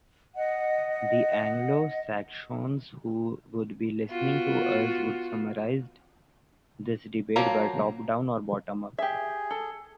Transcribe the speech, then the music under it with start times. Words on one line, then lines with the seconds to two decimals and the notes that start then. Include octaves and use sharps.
The Anglo-Saxons who would be listening to us would summarized this debate by top down or bottom up.
0.35 D#5 F#5
4.09 B3 F4 F#4
7.36 F3 F#3 A#3
8.98 G4 G#4 E5
9.51 A4